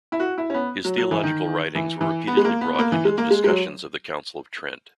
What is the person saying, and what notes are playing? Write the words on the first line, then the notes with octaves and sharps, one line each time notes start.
His theological writings were repeatedly brought into the discussions of the Council of Trent.
E4
F#4
E4
C#4
B3
F#3
F#3
E3
D#3
E3
E3
B3
G#3
A#3
B3
B3
A#3
E3
G#3
A#3
G#3
G#3
F#3